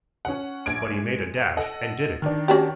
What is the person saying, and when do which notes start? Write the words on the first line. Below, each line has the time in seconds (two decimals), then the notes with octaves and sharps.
But he made a dash and did it.
0.25 C#4 F#5
0.66 A#1 G#6 D7
0.93 G#3
1.57 A4 D#5 F#5
2.22 D#3 D4
2.48 C#4 F#4 G4